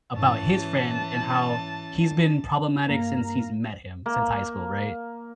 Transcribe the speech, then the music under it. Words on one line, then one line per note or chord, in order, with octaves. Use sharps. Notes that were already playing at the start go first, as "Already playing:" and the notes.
about his friend and how he's been problematic since he's met him, since high school, right?
G#2 E3 C#4 E4 C#5 A5
G2 A#3 F5 A#5
A#3